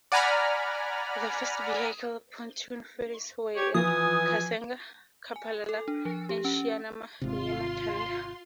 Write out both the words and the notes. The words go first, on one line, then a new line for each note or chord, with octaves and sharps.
The first vehicle pontoon ferries were at Kasenga, Kapalala and Shiniama near Matanda.
D5 F#5 G#5 A#5 B5 F6
G4 C#5
E3 F3 G#5 D#6
G#5
A4
D4
F3
G4
C#4
G#1 C3 F4 C6